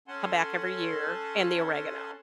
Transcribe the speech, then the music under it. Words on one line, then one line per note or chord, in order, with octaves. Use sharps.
come back every year, and the oregano,
C#4 A4 F#5 G#5 A5 C6